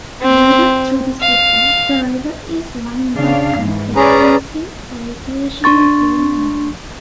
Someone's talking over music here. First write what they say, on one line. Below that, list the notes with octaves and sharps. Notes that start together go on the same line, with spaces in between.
Wooded through the city, the river is lined by an extensive recreational greenbelt.
C4
F5
C#3 D4 F5
G#2 E3
C#4 G#4 B4 D5 A#5
D4 C6 C#6 A6